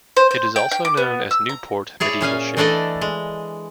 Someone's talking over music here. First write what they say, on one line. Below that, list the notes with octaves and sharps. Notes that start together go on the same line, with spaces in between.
It is also known as Newport Medieval Ship.
C5
C5
G5
G5
D6
B3
E6
A#5
E4 G#4 C#5 D5
A#2 C#4 F5 G#5
E3 A3 D4 A4 D5 D#5
G#3